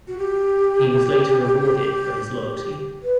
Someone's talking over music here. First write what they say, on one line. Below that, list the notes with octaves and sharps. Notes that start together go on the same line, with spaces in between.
He was later rewarded for his loyalty.
F#4
G4
B4